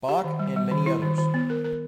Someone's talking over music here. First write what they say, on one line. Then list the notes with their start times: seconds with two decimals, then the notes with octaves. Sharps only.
Bach, and many others.
0.09 G4
0.24 D#3
0.39 G3
0.56 G3
0.71 D#3
0.86 E4
1.02 D#3
1.18 D#3
1.34 B3
1.50 A#4
1.64 A#4